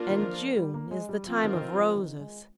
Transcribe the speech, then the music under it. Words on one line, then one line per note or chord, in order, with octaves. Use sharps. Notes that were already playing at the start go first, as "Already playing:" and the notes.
And June is the time of Roses.
Already playing: A#3 D4 F4 A#4
D#3
F3
G3
A#3
G#3
G3
F3 C4 F4 A#4
D#3
D#3
F3
F3
D#3
G#3